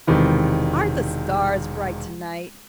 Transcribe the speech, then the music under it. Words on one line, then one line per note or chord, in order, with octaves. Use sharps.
Aren't the stars bright tonight?
E1 C3 D#3 E3